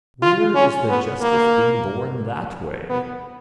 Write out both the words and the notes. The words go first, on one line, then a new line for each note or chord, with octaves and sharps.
Where is the justice being born that way?
F4
C#4
B3
A#3
B3